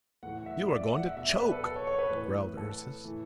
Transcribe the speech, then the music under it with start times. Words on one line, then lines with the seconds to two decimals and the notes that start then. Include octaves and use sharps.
"You are going to choke!" growled Ursus.
0.23 A2 E3 F#5
0.38 F#5
0.46 E5
0.70 D5
0.81 E5
0.93 F#5
1.05 E5
1.16 B2 E5
1.28 D5
1.40 B4
1.51 A4
1.63 A4
1.76 C#5
1.87 C#5
1.99 B4
2.10 A2 E3
2.57 A4
3.04 A2 E3